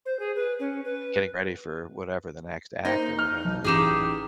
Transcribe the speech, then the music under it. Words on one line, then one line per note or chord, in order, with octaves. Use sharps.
getting ready for whatever, the next act or whatever, and, uh,
C5
G#4
B4
C#4
B4
A#3 D#4 C5
F6
B1
A1 D#4 G4 G#4 E7